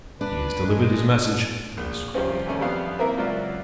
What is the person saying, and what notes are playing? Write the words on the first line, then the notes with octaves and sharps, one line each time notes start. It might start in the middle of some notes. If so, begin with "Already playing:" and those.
"He has delivered his message," Ernest cried.
D4 B4
G#3
A#1
G2 C3 F3 C4 C#4
D#2 D3 A3 C#4
F2 G3 B3 F5
A#3 C4 E4 A#4 E5
C#2 F#3 F4 F#4 D5 E5